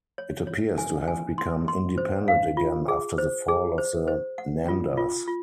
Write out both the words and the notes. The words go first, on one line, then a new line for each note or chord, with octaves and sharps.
It appears to have become independent again after the fall of the Nandas.
C#5
C#5
G#5
G#5
C6
C6
C5
F5
F4
G#4
C5
G#4
C5
C5
F#5
F4
F4
F4